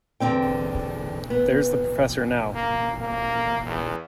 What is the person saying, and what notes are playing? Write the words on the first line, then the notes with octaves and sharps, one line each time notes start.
There's the professor now.
E2 G2 D3 C4 G5
B3
A#3
A#3
E2